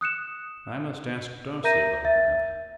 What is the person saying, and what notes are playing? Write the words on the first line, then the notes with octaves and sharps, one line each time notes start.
I must ask Darcy about that.
D#6 F#6 C#7 E7
A#4 E5 A#5 G6 A#6 D#7
E5 A6